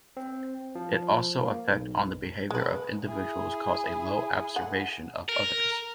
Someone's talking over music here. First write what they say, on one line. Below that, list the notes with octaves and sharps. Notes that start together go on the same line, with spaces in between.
It also affect on the behavior of individuals cause a low abservation of others.
C4
F3
A#3
B1
G#3 B4
E4 G#4
F#5
A#4